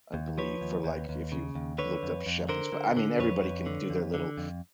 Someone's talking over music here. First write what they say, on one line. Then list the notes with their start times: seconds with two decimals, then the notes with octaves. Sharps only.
I believe, for like if you've looked up shepherds p I mean, everybody can do their little
0.14 D#2
0.38 F3 B4 C#5
0.61 D#2
0.84 D#2
1.09 D#2
1.32 C#3
1.55 D#2
1.78 D3 B4 C#5
2.03 F2
2.26 F2
2.49 D3 A#4 C5
2.72 D3
2.97 D3
3.20 F2 B4 C#5
3.44 F2
3.66 D3
3.90 F2
4.14 D3
4.38 F2